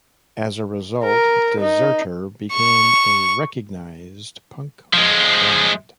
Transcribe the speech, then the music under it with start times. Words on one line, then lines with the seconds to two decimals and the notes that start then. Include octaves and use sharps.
As a result, Dezerter became a recognized punk rock band.
1.04 A#4
1.60 D#4
2.52 C#6
4.93 F3 G#3